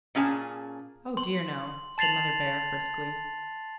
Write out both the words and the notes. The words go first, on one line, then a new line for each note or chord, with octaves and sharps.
"Oh dear, no," said Mother Bhaer, briskly.
A#2 C#4 G#4 A5
C6 F#7
A5 A6 C7 F7 F#7